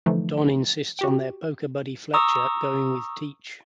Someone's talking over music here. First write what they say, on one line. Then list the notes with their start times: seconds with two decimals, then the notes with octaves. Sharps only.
Don insists on their poker buddy Fletcher going with Teach.
0.06 D3 E3 F3 A3 D#4
0.99 F#4 G4 G5
2.14 A#5 C#6 D#6 E6